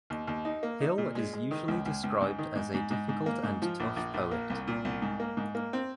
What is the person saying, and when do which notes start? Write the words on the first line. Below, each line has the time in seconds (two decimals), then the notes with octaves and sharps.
Hill is usually described as a difficult and tough poet.
0.10 D#2
0.27 D#2
0.45 D#4
0.63 A#3
0.80 D#4
0.98 A#2
1.15 G#3
1.33 G#3
1.51 D#3
1.68 C#2
1.86 C#2
2.04 C#2
2.21 G#2
2.38 D#3
2.56 G#2
2.74 G#2
2.91 G#2
3.09 G#2
3.26 A#3
3.43 G#2
3.62 F3
3.80 A#1
3.96 A#1
4.14 A#1
4.31 A#3
4.50 C2
4.67 A#2
4.85 C2
5.02 G#2
5.20 A#3
5.37 G#2
5.55 A#3
5.73 C4